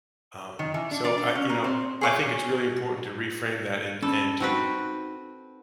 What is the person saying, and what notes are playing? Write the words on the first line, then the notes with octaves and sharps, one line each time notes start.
Um, so, uh, you know, I think it's really important to reframe that and and to
D#3
E3
D4
D5
D4
C#4
A#3
C4
G#4 C#5 D6
C#4 A4 D5 B5
C4 D#4 F#4 B4